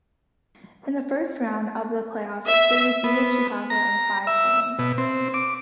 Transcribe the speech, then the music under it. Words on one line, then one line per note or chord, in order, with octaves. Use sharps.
In the first round of the playoffs, they defeated Chicago in five games.
E5
B3
A#5
E5
B2
C4
D6